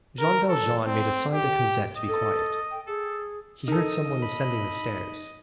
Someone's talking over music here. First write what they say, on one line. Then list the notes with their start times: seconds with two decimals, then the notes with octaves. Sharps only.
Jean Valjean made a sign to Cosette to be quiet. He heard some one ascending the stairs.
0.20 A#4
0.49 A4
0.86 C4
1.33 G4
1.96 D#5
2.08 A4
2.71 G5
2.87 G#4 A4
3.68 D#4 A4 A#4 D#5
4.22 B5